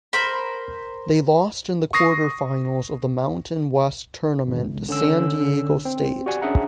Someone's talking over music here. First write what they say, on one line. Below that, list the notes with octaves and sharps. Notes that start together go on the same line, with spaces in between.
They lost in the quarterfinals of the Mountain West Tournament to San Diego State.
A#4 C5 B5
C#6 D#6 A#6 C7
G#1 E2 G2
C#2
D3 C#4 E6
C4
F#4 G4 D5 F#5 G#5
C#4 D4 G#4 E5 F#5 A#5